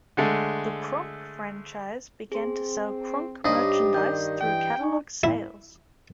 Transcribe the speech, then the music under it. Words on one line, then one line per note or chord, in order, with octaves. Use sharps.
The Kronk "franchise" began to sell Kronk merchandise through catalog sales.
D3 G#3 A3
C4 G#4 C6
G2 D#4 G4 C5 C#5
D#3 D5 G6
E3 G5
D#4 G#5 C#6
E4